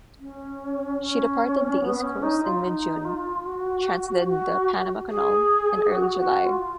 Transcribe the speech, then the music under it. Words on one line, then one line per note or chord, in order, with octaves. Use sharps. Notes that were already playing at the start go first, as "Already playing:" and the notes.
She departed the East Coast in mid-June; transited the Panama Canal in early July.
C#4
C#4
B3
B3
C#4
D#4
F4
D#4
F4
F#4
F#4
G#4
F#4
F#4
F4